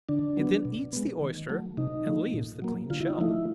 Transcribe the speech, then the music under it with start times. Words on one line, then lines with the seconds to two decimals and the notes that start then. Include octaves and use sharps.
It then eats the oyster and leaves the clean shell.
0.09 D3 D4
0.37 F#3 B3
0.65 B2
0.93 G#3 B3
1.21 D#3
1.49 F#3 A3
1.77 C3 D#4
2.06 F3 A3
2.34 A#2
2.62 F#3 A#3
2.90 D3 F4
3.00 E4
3.10 D#4
3.18 F3 A3 E4